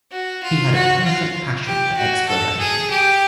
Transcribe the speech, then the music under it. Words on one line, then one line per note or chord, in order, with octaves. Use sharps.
He had a perfect passion for exploration.
F#4
F4
F#4
F4
G4
F#4
A4
G#4
G4